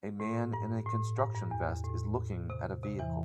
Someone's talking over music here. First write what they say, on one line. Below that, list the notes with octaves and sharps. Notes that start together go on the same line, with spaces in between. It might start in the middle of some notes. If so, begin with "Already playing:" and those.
A man in a construction vest is looking at a vehicle.
A2
G2
A2
G2
G2
E2
A2
C3
C3
E2 E3